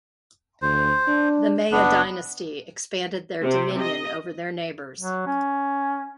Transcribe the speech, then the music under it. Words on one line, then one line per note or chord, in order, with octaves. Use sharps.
The Maya dynasty expanded their dominion over their neighbors.
D2 C5
D4
F#1 B3 D4
C3
D#5
F#3
C#4